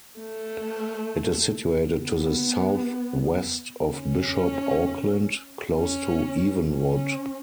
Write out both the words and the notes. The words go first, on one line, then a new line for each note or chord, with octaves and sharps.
It is situated to the south west of Bishop Auckland, close to Evenwood.
A3
B3
C#4
C#4
C#4